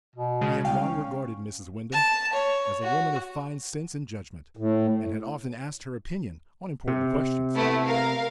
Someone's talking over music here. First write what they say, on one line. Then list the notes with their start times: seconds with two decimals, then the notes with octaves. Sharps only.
He had long regarded Mrs. Wyndham as a woman of fine sense and judgment, and had often asked her opinion on important questions.
0.16 B2
0.41 C#3 G#3
0.65 C2 F5 G5
0.81 C#4
1.93 A5
2.33 C#5
2.82 F#4
4.57 A2
6.88 C3
7.55 A3 B3 E4
7.85 A#4 F5